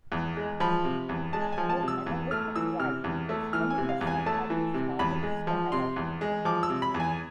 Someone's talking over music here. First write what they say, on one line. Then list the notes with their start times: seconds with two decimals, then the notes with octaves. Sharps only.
His short, analytic writing is reminiscent of his father's style.
0.12 E2
0.37 G#3
0.60 F3 B5
0.85 C3
1.09 E2
1.33 G#3 A5
1.52 G#5
1.58 F3
1.70 A5
1.83 C3
1.88 E6
2.07 E2
2.31 A3 F6
2.56 E3 E6
2.79 C3 F6
3.04 E2
3.29 A3
3.53 E3 F6
3.70 G#5
3.78 C3
3.89 F5
4.01 E2
4.07 G#5
4.26 A3 A5
4.50 E3
4.74 C3
4.99 E2 B5
5.23 G#3
5.47 F3
5.72 C3 C6
5.96 E2
6.21 G#3
6.45 F3 D6
6.63 E6
6.70 C3
6.82 B5
6.94 E2
7.00 G#5